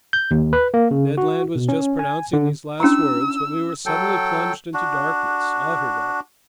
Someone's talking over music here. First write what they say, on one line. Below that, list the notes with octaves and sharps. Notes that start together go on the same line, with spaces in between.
Ned Land was just pronouncing these last words when we were suddenly plunged into darkness, utter darkness.
G6
D#2
B4
A#3
C#3
F#4
B2
C#4
G#5
D3
C#4 D4 E4 A#5 E6
F#3 A4 G5
D4 F#4